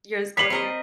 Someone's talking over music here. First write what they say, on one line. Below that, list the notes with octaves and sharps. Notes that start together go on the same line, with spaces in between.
Your zodiac
B4 C#5 B6 C7 F#7
C4 A#4 D#5